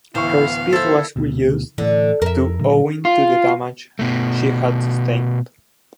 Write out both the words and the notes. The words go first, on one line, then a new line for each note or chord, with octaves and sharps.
Her speed was reduced to owing to the damage she had sustained.
D1 E3 B3 E4 C5 F5 C#6
E4 A4 C5
D2 B2
A2 D3 E3
F2 A#4 E5
A#2 D3 F#3
F4
B2 A3